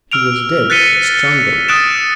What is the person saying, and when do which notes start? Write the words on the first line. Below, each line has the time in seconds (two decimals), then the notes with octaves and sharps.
He was dead--strangled.
0.12 E6 F6 D7 F7
0.70 F#6 A6 B6 C#7 D#7 G7
1.69 D#6 F#6 A6 D7 E7